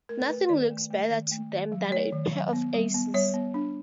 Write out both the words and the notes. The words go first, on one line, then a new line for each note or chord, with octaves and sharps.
Nothing looks better to them than a pair of aces.
A3 A#4
A3 B4
D#3 D5
A3
A3
D#3
A3
D#3
F#3
A3 C#5
D#3
F#3
B3
G3
B3
G3 C#5
B3
D4